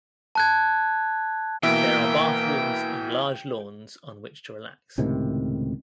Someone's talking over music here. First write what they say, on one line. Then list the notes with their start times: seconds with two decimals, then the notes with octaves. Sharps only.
There are bathrooms and large lawns on which to relax.
0.35 A5 F#6 G#6
1.63 B2 E3 A#3 E5 G5
4.98 C#2 A2 C3 D#3